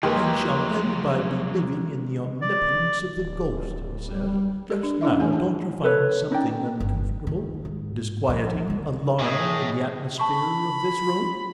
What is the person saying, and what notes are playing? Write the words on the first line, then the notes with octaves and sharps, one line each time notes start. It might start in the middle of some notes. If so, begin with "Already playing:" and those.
"I shall end by believing in the omnipotence of the ghost," he said. "Just now, don't you find something uncomfortable, disquieting, alarming in the atmosphere of this room?"
D#2 F3 F#3 G#3 G4 A#4 B4
D5
D1
G3
G4 D5
D4
C#4 D4 E4 D#5 E5
E3 A3 G#4 G#5
A5
A4 B4 C#5
C#4 D#4 D5 G5
G1
D#3
G#2
A#2 F3
D3 F#3
A2 G#4 D#5
A5 B5 C#6